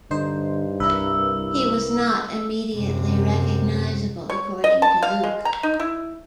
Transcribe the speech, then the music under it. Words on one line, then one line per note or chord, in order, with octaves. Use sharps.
He was not immediately recognizable, according to Luke.
G2 D3 D#4 C5
C2 E4 A#4 B4 E6
F#2 C3
C#5
D#5
A5
F5
G#3
A#5
D#4
E4